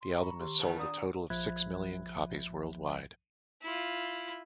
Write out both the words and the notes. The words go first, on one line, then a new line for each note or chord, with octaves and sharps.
The album has sold a total of six million copies worldwide.
C6
A#5 B5 C#6
D#3 G4 C6
G2 A#2 G3 A5
D4 D5 A#5 D#6
A#1 F3 E5 B5 F#6 G#6
E4 F4